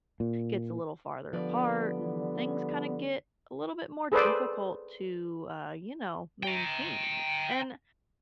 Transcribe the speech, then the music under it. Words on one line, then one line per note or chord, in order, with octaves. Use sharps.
gets a little farther apart and things kinda get a little bit more difficult to, uh, you know, maintain. And
A#2
D3 F3 G3 B3 B4 D5
G#4 A4 B4 C5 D5
G5 A#5